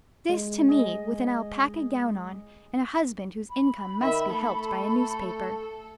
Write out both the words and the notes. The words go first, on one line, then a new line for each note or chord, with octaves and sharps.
This to me, with an alpaca gown on, and a husband whose income must be helped by a newspaper!
G#3
G#4 D#5
B5
D#3 E5
A3 A4